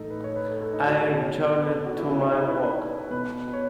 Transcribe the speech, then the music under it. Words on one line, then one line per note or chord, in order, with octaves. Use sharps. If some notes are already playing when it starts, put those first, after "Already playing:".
I returned to my work.
Already playing: A2 E3 D#4 A4
B4
C#5
B4
A4
A4
D#4
F#4
G#4
B2 C#5
B4
A4
F#4
E4
C#4
D#4
E4
B4
B4
B2 B4
C#5